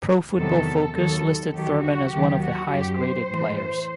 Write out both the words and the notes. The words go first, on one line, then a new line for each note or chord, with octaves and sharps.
Pro Football Focus listed Thurman as one of the highest graded players.
E2 C3 D#3 F#3 A4
D#2 D#3 F#3 A4
D#2 D#3 F#3 G4
F#4
D#2 D#3 F#3 G4
F#4
F#2 F#3 G4
C5
A2 E3